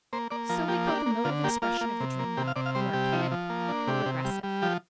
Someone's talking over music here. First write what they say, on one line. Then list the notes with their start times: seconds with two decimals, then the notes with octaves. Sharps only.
So we called the mode of expression of the dream-work the archaic or regressive.
0.13 A#3 C5
0.31 A#3 D5
0.49 F3 A#4
0.68 A#3 G4
0.87 D4 G4
1.06 A#3
1.24 D3 F4
1.44 A#3 G4
1.62 A#3 F4
1.81 A#3
2.00 C3
2.19 A#3
2.37 C3 G4
2.47 F5
2.56 C3 D5
2.66 F5
2.75 G3 C5
2.93 C3 G4
3.13 F3
3.31 F3
3.50 A#3
3.69 D4
3.87 C3 G4
4.06 C3
4.25 G3
4.43 G3
4.62 F3 G4